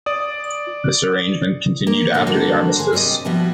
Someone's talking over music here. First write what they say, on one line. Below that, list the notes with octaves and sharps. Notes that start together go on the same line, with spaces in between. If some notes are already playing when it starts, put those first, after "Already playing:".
This arrangement continued after the armistice.
D5 D#6
A#3
A#2 D3 G3 A#3 D#4
D3 G3 A#3 F#4
G#4 C5
C3 G3 C5 D5 D#5
B2 F3 G3 B3 E4 F#4